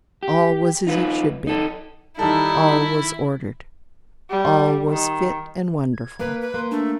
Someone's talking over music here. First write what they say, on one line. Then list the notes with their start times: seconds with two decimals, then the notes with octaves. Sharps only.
All was as it should be--all was ordered--all was fit and wonderful.
0.23 G4
0.87 D#4 F4 A#4 B4
1.47 D#4 A4
2.19 D#3 G3 D#4 E4 A4
4.30 G3
4.89 D#3
5.93 G#6
6.20 A#3 B4
6.41 B4
6.54 A#3 C6
6.71 A3 D4